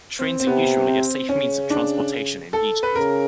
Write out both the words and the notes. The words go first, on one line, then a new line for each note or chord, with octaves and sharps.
Trains are usually a safe means of transportation in Egypt.
C4
C4
C3 B3
C4
C#3 C#4
D4
A4
B4
C#3 A#4